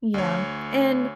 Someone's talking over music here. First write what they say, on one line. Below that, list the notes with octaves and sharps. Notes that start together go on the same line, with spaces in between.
Yeah, and
D2 C#5